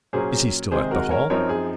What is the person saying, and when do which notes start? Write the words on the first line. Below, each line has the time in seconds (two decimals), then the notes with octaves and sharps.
"Is he still at the Hall?"
0.13 A#2 F#3 A#3 C#4 G#4 C5
0.71 C3 D#3 G#3 G#4 C5
0.91 F#4 A#4
1.11 A#4 C#5
1.30 F#2 F3 C4 D#4 A#4 C#5
1.49 G#4